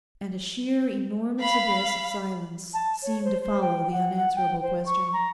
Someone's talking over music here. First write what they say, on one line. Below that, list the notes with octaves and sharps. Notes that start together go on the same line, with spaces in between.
And a sheer enormous abyss of silence seemed to follow the unanswerable question.
F5 B5
A5
C#5
C5
C5
G5
F#5
F#5
G5
C5
C#6
A#5